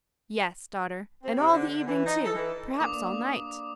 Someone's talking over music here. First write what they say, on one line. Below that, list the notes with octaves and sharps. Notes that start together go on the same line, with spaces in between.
"Yes, daughter, and all the evening, too; perhaps all night."
C4
C3
D3
D3
E3
D#4
A4
E3
A#3 D4 D6 D#6